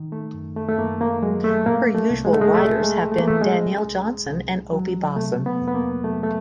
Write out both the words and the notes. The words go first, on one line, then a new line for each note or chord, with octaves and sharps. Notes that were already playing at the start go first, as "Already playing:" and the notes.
Her usual riders have been Danielle Johnson and Opie Bosson.
Already playing: D#3
A3
F#2
A3
A3
F#2 A#3
A#3
F#3 G#3
A3
A#2 A#3
A3
C2
G#3
A3
G#3
C2 A3
G#3
F3
A3
A#3
A3
A#2 G#3
C2
C2
F#3
C3 A3
B3
F2
B3
A#3
F#3 A3
A3